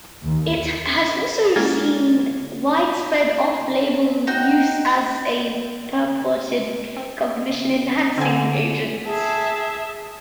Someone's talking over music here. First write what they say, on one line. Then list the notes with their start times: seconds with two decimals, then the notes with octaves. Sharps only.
It has also seen widespread off-label use as a purported cognition-enhancing agent.
0.24 D#2
1.56 G#3 A#3 C#4 E4 F6 A6
4.27 D#4 F#4 G5
6.97 C4
8.18 D3 C4 G#5
9.06 G#4 E5 A5